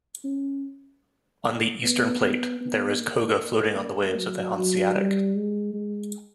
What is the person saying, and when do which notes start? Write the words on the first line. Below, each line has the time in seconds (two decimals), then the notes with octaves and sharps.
On the eastern plate, there is koga floating on the waves of the Hanseatic.
0.24 C#4
1.82 B3
2.21 B3
2.61 B3
2.99 A#3
3.78 A#3
4.17 F#3
4.57 F#3
4.95 G3
5.35 G#3
5.73 G#3